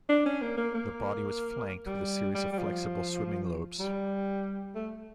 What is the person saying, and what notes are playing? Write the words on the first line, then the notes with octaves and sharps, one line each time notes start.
The body was flanked with a series of flexible swimming lobes.
D4
C#4
A#3
A#3
A#3
G3
G3
G3
F3
G3
A3